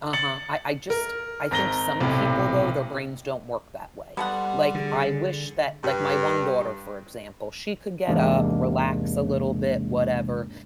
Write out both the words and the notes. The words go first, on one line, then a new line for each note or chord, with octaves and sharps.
Uh-huh. I I just I think some people, though, their brains don't work that way. Like, I wish that, like, my one daughter, for example, she could get up, relax a little bit, whatever,
A6 C#7 F#7
A#4
G#1 A#5 A#6 G7
B1 A2 C3
G3 B3 A4 F#5 C6
D3 G#4
G2
E2 G#2 C3 G#3 A#3 D4